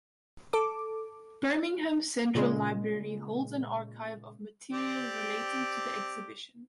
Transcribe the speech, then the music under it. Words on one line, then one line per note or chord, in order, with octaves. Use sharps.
Birmingham Central Library holds an archive of material relating to the exhibition.
A4 D6
A#2 C#3 G#3
C4 G4 D5